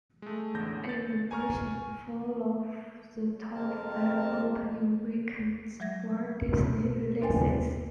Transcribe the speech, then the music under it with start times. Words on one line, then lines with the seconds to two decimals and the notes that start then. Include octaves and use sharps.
In addition, four of the top-five opening weekends were Disney releases.
0.22 G#3 A3
0.54 A1 E2 D3 G6 A#6
0.85 A6 C#7
1.31 G#5 A#5 C#6 F6
3.54 F2 G#3 C4 A#4 A5
5.80 F#3 G#3 E5 G#6 A#6
6.62 B2
7.21 D#2 D4 B4 G5 G#5 A6